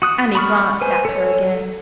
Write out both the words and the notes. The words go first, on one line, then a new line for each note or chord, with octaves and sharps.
Annie glanced at her again.
F#4 D#6 F#6
B5 C#6 F6
B4 C5 G#5
A4 C#5